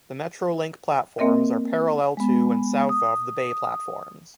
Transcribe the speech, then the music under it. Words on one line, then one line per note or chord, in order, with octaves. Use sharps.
The Metrolink platforms are parallel to, and south of the bay platforms.
A#3 C4 A#4 D#5 E5
G#3 B3
D#6